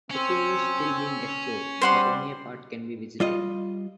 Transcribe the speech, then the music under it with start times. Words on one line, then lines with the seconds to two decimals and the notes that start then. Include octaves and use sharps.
The cave is still being explored, but only a part can be visited.
0.11 C4 C#4
1.82 G3 C5 F#5 C6
3.20 G3 F4 D#5